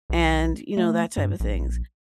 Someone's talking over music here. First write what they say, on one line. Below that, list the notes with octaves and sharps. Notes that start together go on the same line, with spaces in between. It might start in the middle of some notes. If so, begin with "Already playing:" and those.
and, you know, that type of things.
B1
A3
G2
A#1